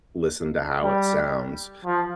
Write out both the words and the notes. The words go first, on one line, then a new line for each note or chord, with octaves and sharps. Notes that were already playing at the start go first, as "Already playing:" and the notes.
listen to how it sounds.
G3
F3